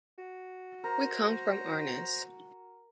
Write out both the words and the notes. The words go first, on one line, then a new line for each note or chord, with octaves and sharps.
We come from Arnes.
F#4
A#4 C5 A#5